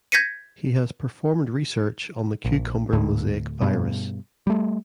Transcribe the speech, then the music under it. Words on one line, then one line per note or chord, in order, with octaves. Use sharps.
He has performed research on the "cucumber mosaic virus".
G6 G#6 A#6 B6 C#7 D#7
A#1
D2 A2
G2 B2
G3 A3